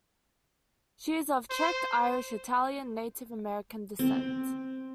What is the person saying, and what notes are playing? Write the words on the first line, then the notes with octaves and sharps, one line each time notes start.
She is of Czech, Irish, Italian and Native American descent.
C5
C4